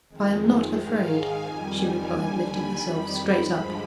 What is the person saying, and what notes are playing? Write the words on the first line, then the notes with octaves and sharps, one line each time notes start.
'I am not afraid,' she replied, lifting herself straight up.
F2 D#3 G#3
G#2 D#3 G#3 F5
G#5
F2 D#3 G3
D#2 D3 G3 G#5
B5
F2 D#3 G3
G2 D3 F3 G#3